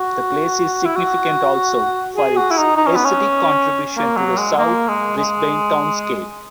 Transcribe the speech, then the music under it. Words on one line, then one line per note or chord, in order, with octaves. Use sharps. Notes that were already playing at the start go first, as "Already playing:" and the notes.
The place is significant also for its aesthetic contribution to the South Brisbane townscape.
Already playing: F#4
E4
F#4
G#4
F#4
E4
D#4
D#4
C#4
B3
C#4
A#3
F#3
G#3
A#3
G#3
G#3